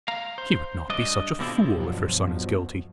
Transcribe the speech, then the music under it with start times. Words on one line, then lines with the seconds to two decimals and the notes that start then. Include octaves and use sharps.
"She would not be such a fool, if her son is guilty."
0.08 F5 A#5
0.38 C5
0.90 G2 D4 D#5
1.39 G2 B2 D3 C4 E4 F4
1.75 G2 B2 F3 F#3